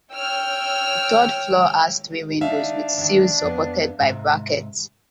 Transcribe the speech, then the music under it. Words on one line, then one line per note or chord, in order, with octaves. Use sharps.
The third floor has three windows with sills supported by brackets.
C#5 G5 E6 F6
D4 D#4 E5 F5
D3 D#3
F2 B3
G#2 C3